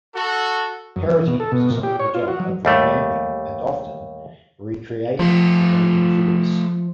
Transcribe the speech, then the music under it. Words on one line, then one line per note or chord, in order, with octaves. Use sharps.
Heraty was assigned the job of revamping and often, recreating the broken figures.
F#4 A4
F#2
E3
B2
A4
B2
A#2
G4
C#5
F4
F#4
F#3
D#2 G3 A3
F3 A3 F4